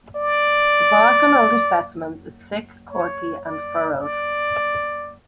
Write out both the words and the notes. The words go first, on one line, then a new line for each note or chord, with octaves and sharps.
The bark on older specimens is thick, corky and furrowed.
D5
C#5
D5
D5